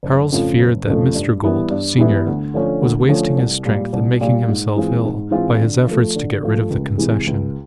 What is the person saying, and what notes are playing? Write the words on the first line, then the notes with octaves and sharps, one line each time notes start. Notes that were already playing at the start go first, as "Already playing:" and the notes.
Charles feared that Mr. Gould, senior, was wasting his strength and making himself ill by his efforts to get rid of the Concession.
F#1
F2 C#3 F3 A3
F#1
F2 C#3 F3 A3
G2
E3 G3 B3 E4
G2
E3 G3 B3 E4
D2
D3 F3 A3 C#4
D2
D3 F3 A3 C#4
C2
A#2 G3
C2
A#2 G3
G#2
E3 G#3 C4 F4
G#2
E3 G#3 C4 F4
D3
F3 A3
D3
F3 A3
C#2
C3 E3 G#3
C#2